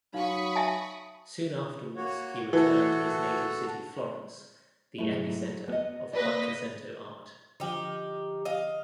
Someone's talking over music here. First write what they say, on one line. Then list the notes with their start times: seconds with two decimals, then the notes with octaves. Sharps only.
Soon afterwards he returned to his native city Florence, the epicenter of "Quattrocento" art.
0.14 F#3 D#4 F5 B5 C#6 D#6
0.55 E5 G#5 A5
1.97 A#3 F#4 C#5
2.53 E3 F#4 A4
4.98 G#2 F#3 A3 E4
5.68 B3 D#5
6.13 A#3 B4 D5 D#5
7.60 D3 F3 D#4 G4
8.45 D#5 F5